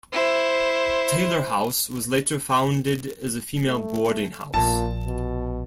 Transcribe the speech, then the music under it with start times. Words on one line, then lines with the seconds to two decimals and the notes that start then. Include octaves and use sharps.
Taylor house was later founded as a female boarding house.
0.13 E4 C5
3.67 A3
4.54 A#1 A#2 F3 A5
5.06 B2